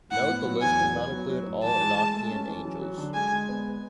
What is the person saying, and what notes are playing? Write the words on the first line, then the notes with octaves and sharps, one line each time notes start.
Note the list does not include all Enochian angels.
A2 F#5
B3
F#3
E2 G#5
B3
B3
F#3
F#3
A2
E3 A5
G#3
G#3
A3
C#4
E3
F#3
F#3
D3
G#3 G#5
G#3
B3